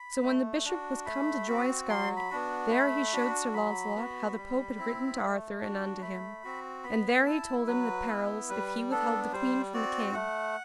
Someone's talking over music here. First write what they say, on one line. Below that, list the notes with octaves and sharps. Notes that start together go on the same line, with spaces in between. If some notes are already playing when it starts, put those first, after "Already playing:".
So when the Bishop was come to Joyous Gard, there he shewed Sir Launcelot how the Pope had written to Arthur and unto him, and there he told him the perils if he withheld the queen from the king.
Already playing: B5
A3
D4 F#4
A3 B5
C4 F#4
F#3 C6
B5
B3 D4 F#4
A3 B5
D4 F#4
F#3 B5
B3 F#4
G3
C4 E4
A3
D4 F#4
A3 B5
C4 F#4
B3 B5
E4 A5
F#3 B4
B3 E4
G3 B4
B3 D4 A4
G3 C5
C4 F#4 D5
A3 F#5